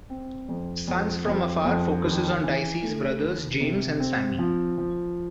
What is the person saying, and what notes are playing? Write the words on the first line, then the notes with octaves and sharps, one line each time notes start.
"Sons from Afar" focuses on Dicey's brothers, James and Sammy.
C4
F2
F2
F2
F2
D#2
E3
A3
D#2
C3
C4
F3
F3